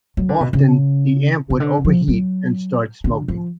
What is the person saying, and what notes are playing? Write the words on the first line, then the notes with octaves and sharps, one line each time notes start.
Often, the amp would overheat and start smoking.
F#3
D3
B2
C#3
C#3
D3
F3
F#3
D3
F3